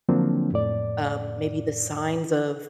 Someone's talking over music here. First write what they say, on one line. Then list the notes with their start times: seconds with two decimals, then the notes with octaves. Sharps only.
Um, maybe the signs of
0.09 D3 F3 F#3 A#3 C4 D4
0.53 F2 A2 D5